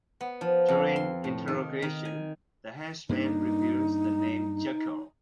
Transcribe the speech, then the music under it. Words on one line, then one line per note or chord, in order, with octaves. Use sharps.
During interrogation, the henchman reveals the name "Jackal".
B3
F3
F2
C6
A2
D#3
D#3
G#5
G2 A#3 D4 D#4